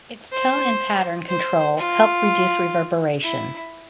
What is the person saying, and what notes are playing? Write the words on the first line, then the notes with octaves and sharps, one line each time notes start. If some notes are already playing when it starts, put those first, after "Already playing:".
Its tone and pattern control helped reduce reverberation.
C5
C5
F4
E4